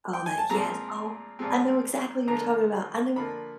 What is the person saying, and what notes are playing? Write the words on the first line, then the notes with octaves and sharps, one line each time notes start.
Oh, that yes. Oh, I know exactly who you're talking about. I know
G5
G#5
A5
A#2 F3 G#3 C4 A#5
A#2 F3 G#3 C4
D3 F3 A#3 A#5
D3 F3 A#3 B5